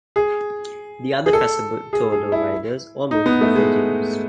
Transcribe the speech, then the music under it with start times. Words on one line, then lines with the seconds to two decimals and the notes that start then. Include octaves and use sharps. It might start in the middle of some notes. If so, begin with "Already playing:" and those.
The other Fassa Bortolo riders all moved to different teams.
0.16 G#4
1.26 G#4
1.33 A4
1.93 G#4
2.12 G#4
2.32 E4
3.11 D#4
3.26 B3
3.41 A3
3.56 G#3